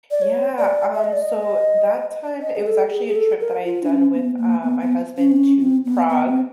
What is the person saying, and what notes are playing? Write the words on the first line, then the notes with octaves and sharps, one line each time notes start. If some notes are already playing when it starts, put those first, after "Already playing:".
Yeah, um, so that time it was actually a trip that I had done with, uh, my husband to Prague,
D5
C#5
D5
E5
D#5
D5
D#5
D#5
G#4
A4
G#4
G#4
A4
A#4
F4
D4
C#4
B3
A#3
B3
B3
C#4
C4
C#4
C4
B3
B3
C4